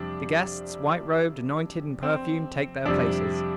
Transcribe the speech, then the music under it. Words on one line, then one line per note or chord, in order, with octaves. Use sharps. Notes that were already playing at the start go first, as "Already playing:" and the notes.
The guests, white-robed, anointed and perfumed, take their places.
Already playing: F2 C3 G3 D4
C4
F2 C3 G3 D4